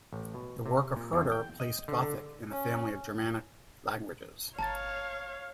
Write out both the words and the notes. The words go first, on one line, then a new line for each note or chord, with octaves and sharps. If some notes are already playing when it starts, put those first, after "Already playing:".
The work of Herder placed Gothic in the family of Germanic languages.
A1
B2
C3
A#2
E2
G5
D#5
D3
D3
C#4
G1 C#5 F5 A5 A#5 A6